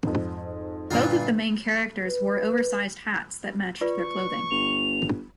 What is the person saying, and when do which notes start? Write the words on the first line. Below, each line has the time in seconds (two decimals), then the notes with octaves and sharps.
Both of the main characters wore oversized hats that matched their clothing.
0.05 F2 G#2
0.91 G1 G2 A#2 F4
2.05 B4
3.81 F4 B4 D5 C#6
4.51 G1 F7